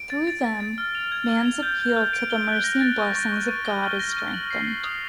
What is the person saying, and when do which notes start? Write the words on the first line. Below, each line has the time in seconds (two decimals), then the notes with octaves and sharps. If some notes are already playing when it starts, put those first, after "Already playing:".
Through them, man's appeal to the mercy and blessings of God is strengthened.
Already playing: D7
0.10 A6
0.27 A6
0.44 A6
0.60 A6
0.78 F6
0.95 F7
1.12 G#6
1.29 F6
1.46 F7
1.63 G6
1.79 G6
1.96 G6
2.13 D7
2.30 G7
2.47 F#6
2.64 A#6
2.81 A6
2.98 C#6
3.15 C#6
3.32 C#6
3.48 D#7
3.66 G7
3.82 F6
3.99 A#6
4.17 D#7
4.34 F#7
4.51 C7
4.67 C7
4.84 D#6